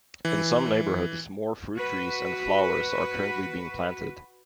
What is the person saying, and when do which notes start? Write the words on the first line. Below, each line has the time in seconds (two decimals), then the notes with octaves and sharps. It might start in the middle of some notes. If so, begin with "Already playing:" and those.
In some neighbourhoods more fruit trees and flowers are currently being planted.
0.25 E3
1.76 F#4 B4